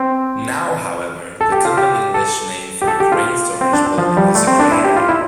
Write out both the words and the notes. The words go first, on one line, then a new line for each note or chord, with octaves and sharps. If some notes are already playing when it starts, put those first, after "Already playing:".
Now, however, the common English name for a grain storage building is granary.
Already playing: C4
A4
G4
F4
G4
A4
G4
A4
G4
F4
C4
D4
F3
G3
A3
C4
D4
E4
G4
F4
E4